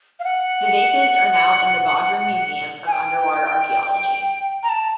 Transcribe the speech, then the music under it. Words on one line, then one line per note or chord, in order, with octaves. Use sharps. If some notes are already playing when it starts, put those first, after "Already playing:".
The vases are now in the Bodrum Museum of Underwater Archaeology.
F5
F#5
G#5
G5
A#5
A5